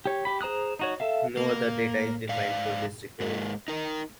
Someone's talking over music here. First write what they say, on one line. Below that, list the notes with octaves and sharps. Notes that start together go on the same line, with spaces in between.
No other data is defined for this record.
G4 C#5
G4 B5
G#4 C5 A#5 D#6 F#6
D#4 F#4 C#5
A4 E5 F5
A#3
G#2 D5 F5
G#2 G#3 A#3
D#4 A#4